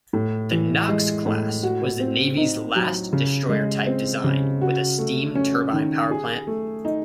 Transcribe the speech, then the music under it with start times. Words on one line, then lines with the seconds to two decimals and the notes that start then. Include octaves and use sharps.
The "Knox" class was the Navy's last destroyer-type design with a steam turbine powerplant.
0.13 A2
0.52 E3
0.89 G#3
1.26 A2
1.63 F#4
2.00 C4
2.37 D#4
2.75 F#3
3.13 C#3
3.49 G#3
3.87 C4
4.24 C#3
4.62 F#4
4.98 A3
5.35 C#4
5.73 D#3
6.11 G#4
6.47 A3
6.85 D#4